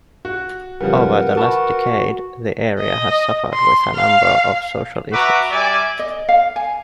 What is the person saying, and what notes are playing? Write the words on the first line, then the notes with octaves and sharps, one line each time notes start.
Over the last decade, the area has suffered with a number of social issues.
F#4
C#3 F3 G3 A#4 B4 F#5
F#4 A5 B5
D#5
C6
F5
F#4 B4 E5 A#5 D6
G3 D5 E5 G#5
D#5
F5
G#5